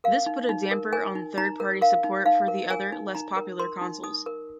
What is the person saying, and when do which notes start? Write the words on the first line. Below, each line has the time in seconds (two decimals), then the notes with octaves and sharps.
This put a damper on third party support for the other, less popular consoles.
0.04 A#4 F5
0.26 D#4
0.49 D#4
0.71 A#4
0.93 A#4 G#5
1.15 D#4
1.37 D#4 A#5
1.60 A#4
1.82 A#4 F5
2.04 D#4
2.26 D#4 F5
2.48 A#4
2.70 A#4 G#5
2.92 D#4
3.15 D#4 A#5
3.37 A#4
3.59 A#4 C6
3.81 D#4
4.04 D#4 D#6
4.26 A#4